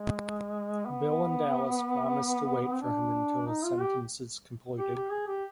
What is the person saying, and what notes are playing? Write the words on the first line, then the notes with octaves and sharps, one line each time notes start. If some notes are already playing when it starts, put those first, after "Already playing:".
Bill and Alice promise to wait for him until his sentence is completed.
Already playing: G#3
B3
C4
D4
D#4
F4
G4
G4
G4
G#4
G4